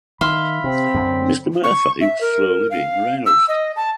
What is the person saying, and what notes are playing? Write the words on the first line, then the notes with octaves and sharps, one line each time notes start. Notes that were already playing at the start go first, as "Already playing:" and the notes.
Mr. Murphy was slowly being roused.
D#3 E5 F5 B5 C6
C3 C4
F#2 D3
C#6
E5
A#4
F5
E6
D#5
A5